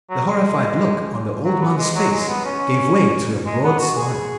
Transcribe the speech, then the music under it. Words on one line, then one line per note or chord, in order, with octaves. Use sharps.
The horrified look on the old man's face gave way to a broad smile.
F#3
G#3
F#3
B3
G#3
F#3
G#3
B3
C#4
G#3
B3
F#4
G#4